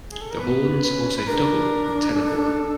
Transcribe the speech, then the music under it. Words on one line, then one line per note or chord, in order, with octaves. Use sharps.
The horns also double on tenor horn.
G#4
A4
A#4
B3 B4
C#4 B4
B4
D4 A#4
A4